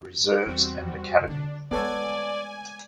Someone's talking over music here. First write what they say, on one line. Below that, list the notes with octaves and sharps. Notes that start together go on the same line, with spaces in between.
Reserves and Academy.
E2 G3 C4 F#4
D3 D4
G#3 A3 B3 A4 C#5 D5 G#5